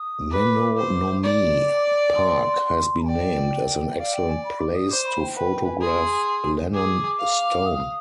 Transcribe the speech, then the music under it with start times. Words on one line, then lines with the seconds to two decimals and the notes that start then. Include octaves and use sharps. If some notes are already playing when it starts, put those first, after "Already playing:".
Menonomee Park has been named as an excellent place to photograph Lannon stone.
Already playing: D#6
0.31 B4 D6
0.77 C5
1.22 D5 D6
2.15 C6
3.06 D5 G5
3.97 D5 F5
4.13 G5
4.29 G#5
4.44 B5
4.59 D6
4.74 D#6
4.90 C5 D6
5.05 B5
5.20 G5
5.35 B4 G5
5.52 G5
5.67 G#5
5.81 G#4 C6
6.73 G#4 D6
7.19 F5
7.65 D#6